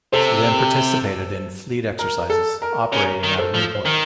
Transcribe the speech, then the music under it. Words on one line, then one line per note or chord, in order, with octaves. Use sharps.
She then participated in fleet exercises, operating out of Newport.
C3 A4 C5
A#4
A4
A#4
C#3 A#4 C#5
D#3
A4 C5
F3
C5
D#3 A#4